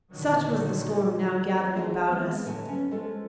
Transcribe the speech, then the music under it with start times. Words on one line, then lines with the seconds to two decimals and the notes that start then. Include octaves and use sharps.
Such was the storm now gathering about us.
0.12 A#2 D3 D#3 F#3
1.59 C4
1.75 D4 G#4 C5 C#5 D#5
2.09 G#3 B3 C4
2.45 A2 D3 F#3 A4 G#5
2.68 B3 C#4
2.91 F3 G#3 F4 A4